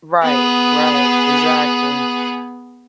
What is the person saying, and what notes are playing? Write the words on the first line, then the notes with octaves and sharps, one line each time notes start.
Right, right, exactly.
B3 G#4